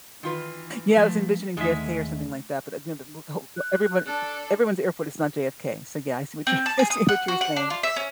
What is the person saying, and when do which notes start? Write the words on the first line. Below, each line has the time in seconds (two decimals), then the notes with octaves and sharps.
Yeah, I was envisioning JFK or something like that, but at the end of b th ho everyone everyone's airport is not JFK, so, yeah, I see what you're I see what you're saying.
0.23 D#3 E3 F4 B4
0.97 F3 A3
1.57 D#2 G#2 D3 G#3 A3 G#4 E5
3.57 F#6
4.06 D4 A4 F#6
6.47 C4
6.66 A5
6.79 G#4
6.90 D#6
7.09 F#5
7.28 F#4
7.41 F#5
7.56 D4
7.70 F4
7.83 E5
7.96 C#4